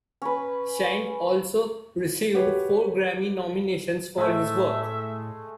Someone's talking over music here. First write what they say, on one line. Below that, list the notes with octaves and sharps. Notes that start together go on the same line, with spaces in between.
Shand also received four Grammy nominations for his work.
C#4 B4
F#4 G4 B4 C#5
A2 G#3 A3 E5